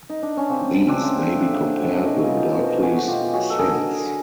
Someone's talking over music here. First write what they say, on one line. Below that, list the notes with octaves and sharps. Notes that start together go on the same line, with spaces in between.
These may be compared with Berkeley's "Sins".
D#4
D4
C#4
C#3 C4
F#3
C4 D4
C#3
A3
C#3
F#3
B2 C#4 D#4
D#4 F4
F#3
C5
A4 B4
B2
A#4 C5
A3 F#4 G#4
F#4
B2 F4 G4
F#3 F#4 G#4
A4
D3 G#4 A#4